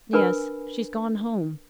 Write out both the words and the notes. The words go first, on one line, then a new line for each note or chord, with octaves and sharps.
"Yes, she's gone home."
D4 A#4 B4 G#5 B5